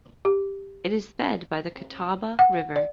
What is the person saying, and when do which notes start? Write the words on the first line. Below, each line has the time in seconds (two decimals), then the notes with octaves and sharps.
It is fed by the Catawba River.
0.25 G4
2.39 F#5
2.76 D5